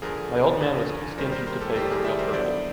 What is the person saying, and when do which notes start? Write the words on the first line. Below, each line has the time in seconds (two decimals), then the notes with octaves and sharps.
My old man was too stingy to pay for real purple.
0.02 D2 D3 F3 G#4 A#4
0.61 D2 D3 F3
1.18 D#2 D#3 G3 A#4 C5
1.32 A#4 C5
1.47 A#4 C5
1.61 G4 A4
1.75 D#2 D#3 G3 G4 A4
1.90 G#4 A#4
2.04 D5 E5
2.19 A#4 C5
2.33 D3 F#3 B3 E4 C5 D5